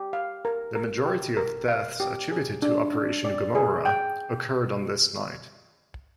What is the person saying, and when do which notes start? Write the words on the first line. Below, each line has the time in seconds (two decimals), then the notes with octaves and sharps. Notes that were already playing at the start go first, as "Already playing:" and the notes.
The majority of deaths attributed to Operation Gomorrah occurred on this night.
Already playing: G4
0.13 F5
0.45 A#4
0.76 A#4
1.06 G4
1.37 A#4
1.68 F5
2.00 G4
2.31 G#4
2.62 D4
2.93 D4
3.24 D5
3.55 G#4
3.85 G5